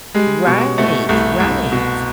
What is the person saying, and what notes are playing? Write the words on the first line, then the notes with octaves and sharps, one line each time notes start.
Right, right.
G3 G#3
B2
B2 A3
C2 A3
C2
B2